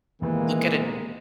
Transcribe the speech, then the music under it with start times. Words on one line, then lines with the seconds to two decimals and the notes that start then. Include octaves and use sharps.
look at it
0.22 D#1 C3 D#3 E3 G#3 A#3 B3